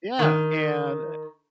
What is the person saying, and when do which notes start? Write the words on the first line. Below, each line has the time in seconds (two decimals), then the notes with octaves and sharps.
Yeah, and
0.19 D#3